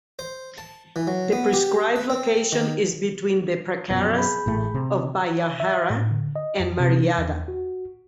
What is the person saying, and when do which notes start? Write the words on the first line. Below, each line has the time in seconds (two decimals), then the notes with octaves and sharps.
The prescribe location is between the "prakaras" of "bahyahara" and "maryada".
0.19 C5
0.58 A5
0.96 E3
1.07 F#3
1.32 B3
1.53 G4
1.96 B4
2.10 C4
2.52 D#3
3.90 F#2 B2 F3
4.17 G#4 B5 G6
4.46 A1 A2 A3
4.74 C3
5.60 E5
5.90 A2
6.11 D3
6.36 D#5
6.60 F2
6.80 C3
7.04 F3
7.18 E2
7.48 F#4